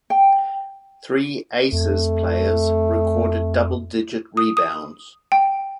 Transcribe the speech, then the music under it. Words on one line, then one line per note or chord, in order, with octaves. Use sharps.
Three Aces players recorded double digit rebounds.
G5
F2 A3
D#6
D#6
G5